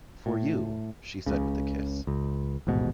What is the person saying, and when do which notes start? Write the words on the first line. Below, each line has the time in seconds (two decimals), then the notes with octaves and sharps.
"For you," she said with a kiss.
0.26 A2
1.26 C#2 C#3
2.07 C#2
2.67 A1 D#2 G#2 B2